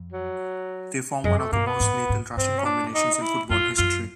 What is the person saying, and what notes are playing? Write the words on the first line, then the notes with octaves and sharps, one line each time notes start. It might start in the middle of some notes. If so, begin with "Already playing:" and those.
They formed one of the most lethal rushing combinations in football history.
Already playing: F2
F#3
F#2 G#3
A3
G2 A#3
B3
G#2
G#2
G2 C4
C#4
D4
D#4
D#4
E4
F#2 F4
F#2 F4